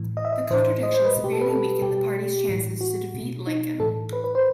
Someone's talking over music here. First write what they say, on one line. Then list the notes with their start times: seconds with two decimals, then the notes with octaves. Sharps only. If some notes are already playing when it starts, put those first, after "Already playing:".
The contradiction severely weakened the party's chances to defeat Lincoln.
Already playing: A2 E3
0.17 D#5
0.25 E5
0.32 D#5
0.50 A2 E3 C5
0.83 D#5
0.94 C5
1.05 B4
1.16 B2
1.24 G4
1.33 A4
1.41 B4
1.49 A4
1.82 B2 G4
2.49 A2 E3
2.81 F#4
3.14 B2
3.47 D#4
3.80 A2 E3 A4
4.13 B4
4.24 B4
4.35 C5